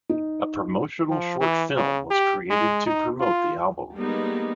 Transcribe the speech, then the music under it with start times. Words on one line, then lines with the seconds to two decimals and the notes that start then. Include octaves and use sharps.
A promotional short film was created to promote the album.
0.09 D#4
1.10 F3
1.40 E3
1.76 C#3
2.11 G4
2.50 G#3
2.86 D#4
3.20 F4
3.94 G3 G#3 A#3 B3 D#4